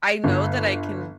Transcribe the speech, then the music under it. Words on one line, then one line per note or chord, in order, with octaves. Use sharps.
I know that I can
G1